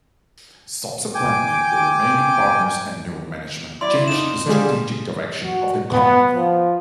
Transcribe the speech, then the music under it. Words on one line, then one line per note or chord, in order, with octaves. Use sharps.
Subsequently, the remaining partners and new management changed the strategic direction of the company.
G5 G#5 D6
F#3 E4 D5 C6
F2 D#4 E7
D3 F3 G3 G#3
F#4
B3
F3